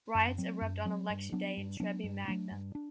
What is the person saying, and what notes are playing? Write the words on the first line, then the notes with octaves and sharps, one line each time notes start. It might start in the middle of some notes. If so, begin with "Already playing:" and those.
Riots erupt on election day in Treby Magna.
F#2
F#3 C4
F#2
F#3 C4
G2
F#3 B3 D4
G2
F#3 B3 D4
G2
F#3 A3 D4
G2
D4